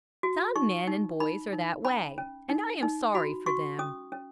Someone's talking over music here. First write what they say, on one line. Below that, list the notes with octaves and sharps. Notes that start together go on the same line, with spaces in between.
Some men and boys are that way, and I am sorry for them.
F#4
D#4 C#6
D#4
D#4 B5
D#4
C#4 B5
C#4
D#4
D#4
F#4 B5
F#4 C#6
C#4 D#6
C#4